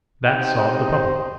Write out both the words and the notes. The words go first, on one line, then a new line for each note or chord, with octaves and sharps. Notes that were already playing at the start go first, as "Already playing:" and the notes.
That solved the problem!
C4 D#4 G4 G5
D#5
C5